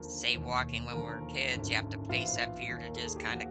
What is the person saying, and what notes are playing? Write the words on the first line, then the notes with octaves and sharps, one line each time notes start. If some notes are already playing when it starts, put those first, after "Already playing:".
say, walking when we're kids, you have to face that fear to just kinda
Already playing: D#2 D3 F3 A#4
E1 D#2 D#3
D#2 D3 F3 A#4
G#1 F#2 D3
A#1 A2 E3 F4
D#2 D#3
A#4
A4
G#4
G4
A#2 F3 F#4